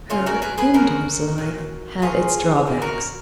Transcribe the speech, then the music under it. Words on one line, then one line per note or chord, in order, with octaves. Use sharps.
Her in-doors life had its drawbacks.
C#3 F3 A#3 C#4 F4
F#4 A#4
G#4 B4
G#4 B4
C#3 F3 A#3 F#4 A#4
A#2 F#3 A#3
A#2 F#3 A#3 F4 G#4
D#3 A#3
F#4 A#4